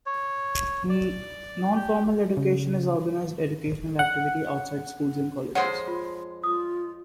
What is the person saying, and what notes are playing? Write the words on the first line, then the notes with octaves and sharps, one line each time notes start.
Non-formal education is organized educational activity outside schools and colleges.
C#5
D5
G4
C#3
F#5
F2 G#3 C5 C#5 F#5
F4
F4 D#6